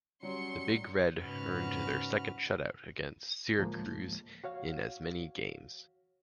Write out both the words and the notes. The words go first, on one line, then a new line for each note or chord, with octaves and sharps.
The Big Red earned their second shutout against Syracuse in as many games.
F#3 G3 C#4 C6 C#7
G#2 C#3 F#4 B4 F6
D2 A2 F3 G#3 A#3
F#4 C#5 F5